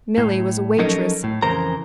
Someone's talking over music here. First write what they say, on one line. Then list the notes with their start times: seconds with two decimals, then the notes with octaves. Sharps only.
Milly was a waitress.
0.18 A2
0.78 F3 F#3 C#4 D#4 A4 A#4
1.24 A2
1.42 F2 C#3 E3 A#4 C5 A#5